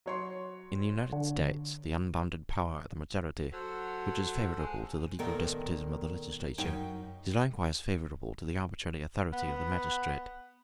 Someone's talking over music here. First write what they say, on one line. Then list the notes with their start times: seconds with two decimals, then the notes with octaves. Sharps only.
In the United States the unbounded power of the majority, which is favorable to the legal despotism of the legislature, is likewise favorable to the arbitrary authority of the magistrate.
0.06 F#3 C#5 C6
1.13 D3
3.52 F#3 A4 C5 F#5
4.58 G#3
5.19 A#2 D#3 A3 B3 A#4 G5
6.58 F#2 D#4 G5
9.33 B3